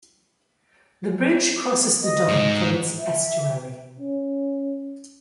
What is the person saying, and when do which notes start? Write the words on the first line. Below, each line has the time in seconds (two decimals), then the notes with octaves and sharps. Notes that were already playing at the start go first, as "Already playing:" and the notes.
The bridge crosses the Don from its estuary.
2.03 D#5
2.28 G#2
2.98 E5
4.00 C#4